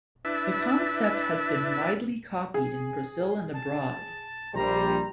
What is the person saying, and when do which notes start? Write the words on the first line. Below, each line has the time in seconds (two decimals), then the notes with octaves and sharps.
The concept has been widely copied in Brazil and abroad.
0.25 D4 E4 B4 E5 A5
2.54 G#4
3.53 A5
4.55 A#1 G3 C5 A#5